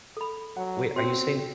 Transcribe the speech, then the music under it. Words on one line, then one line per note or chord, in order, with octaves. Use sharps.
Wait, are you saying
A4 B5
F#3 F#5
C4 F#4 C6